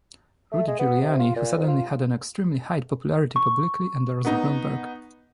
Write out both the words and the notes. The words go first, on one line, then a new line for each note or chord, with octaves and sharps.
Rudy Giuliani, who suddenly had an extremely high popularity publicly endorsed Bloomberg.
A3
G#3
B3
C3
F4
A#2
F2
F4
C#6
B3 D#4